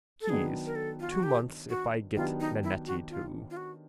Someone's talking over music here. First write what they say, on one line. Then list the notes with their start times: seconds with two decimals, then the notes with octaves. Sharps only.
Keyes: two months if I get Nannetti to.
0.21 A4
0.29 D#3 F#3 B3 D4 G#4
0.66 A#4
0.76 A4
1.00 F4
1.11 F#4
1.23 G4
1.69 F#4
2.17 D#3 F#3 B3 D4 F4 G4
2.40 D#4
2.64 E4
2.87 F#4
3.10 F4
3.51 F4
3.57 F#4